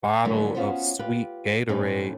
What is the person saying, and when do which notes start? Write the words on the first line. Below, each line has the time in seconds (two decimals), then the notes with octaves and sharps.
bottle of sweet Gatorade,
0.25 D3 E3 F#3 G3 A3 A#3
0.55 B3 C#4 F4 F#4 B4 C5
0.99 F4 G4 B4
1.69 F#2 A2 E3 C4 C#4 D#4